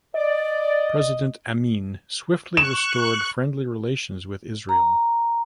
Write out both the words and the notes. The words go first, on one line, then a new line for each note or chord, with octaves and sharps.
President Amin swiftly restored friendly relations with Israel.
D5 D#5
C#6 F#6 E7
A#5